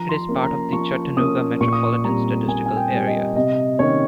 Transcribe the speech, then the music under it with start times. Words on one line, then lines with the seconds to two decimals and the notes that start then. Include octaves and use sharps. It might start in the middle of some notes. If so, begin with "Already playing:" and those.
It is part of the Chattanooga metropolitan statistical area.
Already playing: F3 A#5
0.09 C6
0.14 A#5
0.28 A#3 C#4
0.43 A#5
0.73 F3 C#6
1.17 A#3 C#4 D#6
1.61 A#2 C#6
1.73 D#6
1.86 C#6
2.04 G3 C4 A#5
2.47 A#2 G#5
2.66 G#5
2.77 G5
2.92 G3 C4
3.06 D#5
3.36 C3 D#5
3.79 D#3 A#3 C#4 C#5